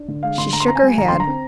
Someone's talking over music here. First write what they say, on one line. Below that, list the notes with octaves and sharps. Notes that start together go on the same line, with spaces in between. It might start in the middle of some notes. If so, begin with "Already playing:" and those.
She shook her head.
Already playing: D4
D3
G#3 F5
D3 C6
D3 A#5
C6
C4 A#5
G#5
G3
D#2 A#5
D3 C6
A#5
C4